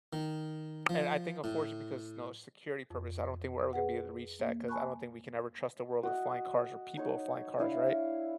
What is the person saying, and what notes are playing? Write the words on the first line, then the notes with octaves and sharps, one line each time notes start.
And I think, unfortunately, because, you know, security purpose, I don't think we're ever gonna be able to reach that, 'cause I don't think we can ever trust the world of flying cars or people of flying cars, right?
D#3
F3
A2
F2
G#4 B4 F#5
A#3
G#5 A5 B5 C#6 F#6
F#4 D#5
D#4 C#5
D4 E4 C#5 F5